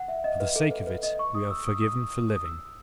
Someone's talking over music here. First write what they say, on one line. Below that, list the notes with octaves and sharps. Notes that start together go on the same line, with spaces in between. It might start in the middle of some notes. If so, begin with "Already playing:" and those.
For the sake of it we are forgiven for living.
Already playing: F#5
E5
D#5
B4
A4
B4
B4
D#5
C#6
D#6
E6
D#6
D#6
D#6
E6